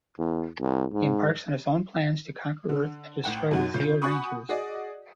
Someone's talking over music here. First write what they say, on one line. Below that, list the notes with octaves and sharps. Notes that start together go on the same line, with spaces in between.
He embarks on his own plans to conquer Earth and destroy the Zeo Rangers.
E2
C2
G#2
D3
A1 F#5 G5
F#2 D#3 F#3 D#4 F#4
C#3 F4 G6
F#4 F#5 G#5 B5 C#6 D#6
F#4 G#4 D5 D#5